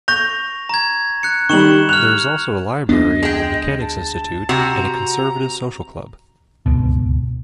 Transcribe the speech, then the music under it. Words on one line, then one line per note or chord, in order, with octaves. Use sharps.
There is also a library in the Mechanics Institute, and a Conservative Social Club.
C#6 G6 A#6 F7
A#5 G#6
F#6 C#7
D#3 G3 C#6 E7 F#7
F6 F#6 F7
D2 B3 D4 D#5
G#3 G5
A5
C3 F#4 A#5
D1 G1 C#2 B2